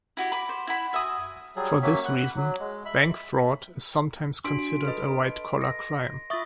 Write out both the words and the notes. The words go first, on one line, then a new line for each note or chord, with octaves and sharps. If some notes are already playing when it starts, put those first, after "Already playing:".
For this reason, bank fraud is sometimes considered a white-collar crime.
E4 F#4 G4
B5 D6
C5
E4 F#5 B5
F#4 E5 G#5 D#6
F#3 G3 G#4
F#3 A#3 C#4 E5
F#5 B5
F#3
G#3
E5 B5
D4 F#4 C6 B6 D7
A4 B4 D#5
A#6
F4 E5 C#6 D#6 A6